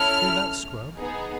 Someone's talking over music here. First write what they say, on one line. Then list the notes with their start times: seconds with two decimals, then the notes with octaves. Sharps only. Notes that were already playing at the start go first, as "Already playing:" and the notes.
Through that scrub?
Already playing: C#4 E4 A4 F6
0.96 B3 D#4 G#4